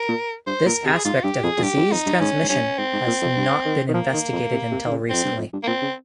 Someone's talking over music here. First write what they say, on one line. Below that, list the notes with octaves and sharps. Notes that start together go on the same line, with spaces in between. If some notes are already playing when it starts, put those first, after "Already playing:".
This aspect of disease transmission has not been investigated until recently.
Already playing: A#4
A#2
G2 C5
A#2 A#4
C3 G#4
G#2 F4
G2 G4
F2 G#4
F2
G2 G4
F2
F2 D#4
G2
G#2 C#4
G#2
G2 C#4
G#2 C4
G#2
A#2
F2
G2
D#3
D#3
F3 A#3
D#3
F2
C3
C3
D#3
C#3
F2 C4
G2
F2
G2
A#3
A#2 C4
C#3